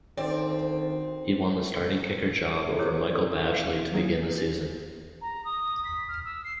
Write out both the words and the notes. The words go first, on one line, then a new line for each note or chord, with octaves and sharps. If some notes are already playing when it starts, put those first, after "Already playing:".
He won the starting kicker job over Michael Badgley to begin the season.
D2 D#3 C4 D5
E4 G4 G#4 A#4 C5 C#5
A4 D5
B4 E5 F5
E3 F#3 A#3 G#4
A#5
D#6
B6
F6
E6
C7